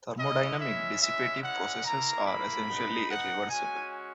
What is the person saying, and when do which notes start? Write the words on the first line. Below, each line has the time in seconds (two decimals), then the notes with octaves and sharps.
Thermodynamic dissipative processes are essentially irreversible.
0.18 G#3 C#4 E4 D#5
0.60 E5
1.01 G#3 C#4 E4 E5
1.43 F#5
1.84 A#3 E4 A#5
2.25 B5
2.66 B3 D#4 F#4
3.08 F#5
3.49 G#3 C#4 F#4 G#5